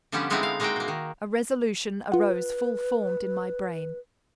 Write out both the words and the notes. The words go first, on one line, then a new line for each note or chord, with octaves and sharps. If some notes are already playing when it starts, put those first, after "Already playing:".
A resolution arose full-formed in my brain.
D3 F3 G3 B3 C#4 G4
D3 G#3 B3 C4 D#4 E4
F5
G#3 A#3 D#4 E4 F#4 G5
B2 A#3
D#3
F4 B4 F#5